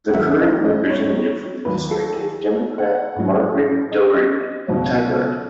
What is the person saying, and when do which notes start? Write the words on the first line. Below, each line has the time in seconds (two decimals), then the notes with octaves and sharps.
The current representative for the district is Democrat Margaret Doherty of Tigard.
0.10 F#5
0.14 D#2 D#3 F#3 E5
0.40 D#5
0.65 D#5
0.90 C#5
1.65 D#2 D#3 F#3 B4
1.91 A4
2.16 G#4
2.78 F#5
3.16 A1 A2 F#3
3.92 D#5
4.68 C#2 B2 F#3